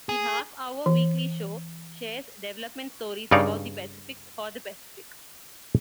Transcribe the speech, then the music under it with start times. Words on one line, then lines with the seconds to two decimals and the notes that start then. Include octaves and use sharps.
The half-hour weekly show shares development stories about the Pacific for the Pacific.
0.09 G#4
0.86 E3
3.31 G2 C#3 D#4 C#5 D5 F5